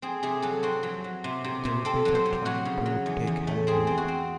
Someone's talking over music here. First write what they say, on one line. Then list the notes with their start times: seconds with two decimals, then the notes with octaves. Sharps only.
There would be the train to take her away.
0.02 C4 G#4
0.23 C3 G#4
0.42 F#3 A4
0.63 C4 F#4
0.83 F#3
1.04 F#3
1.24 C3
1.44 C3
1.65 C3
1.85 C4 A4
2.05 F#3
2.15 C5
2.25 C3
2.45 F#3 F#4
2.65 C#3
2.86 F#3
3.06 E2
3.27 E2
3.47 A3
3.67 C4 G#4
3.87 C4
3.98 F#4
4.08 C4